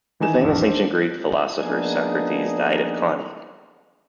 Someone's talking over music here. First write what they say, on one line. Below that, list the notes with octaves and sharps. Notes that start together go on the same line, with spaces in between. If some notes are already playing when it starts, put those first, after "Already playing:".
The famous ancient Greek philosopher Socrates died of coniine.
D#3 E3 D#4 G#5 E7
A1 F2 D4
D4 C5
F3 A#3 B3 D4 D#4 G#4